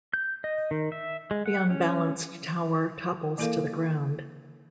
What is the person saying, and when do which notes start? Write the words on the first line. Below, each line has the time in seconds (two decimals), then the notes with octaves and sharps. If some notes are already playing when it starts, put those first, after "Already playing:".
The unbalanced tower topples to the ground.
0.14 G6
0.44 D#5
0.71 D#3
0.92 E5
1.31 G#3
1.46 F#5
1.70 C#4
3.38 E3 A#3 E4 A4 A#4 F5